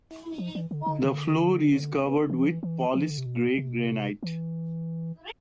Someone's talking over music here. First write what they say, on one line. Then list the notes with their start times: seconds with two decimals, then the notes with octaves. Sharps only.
The floor is covered with polished grey granite.
0.38 F3
0.55 E3
0.71 D3
0.86 D3
1.03 D3
2.30 E3
2.41 F3
2.51 E3
2.63 E3
2.94 F3
3.02 E3
3.10 D3
3.18 C3
3.26 B2
3.58 C3
3.69 B2
3.79 C3
4.23 E3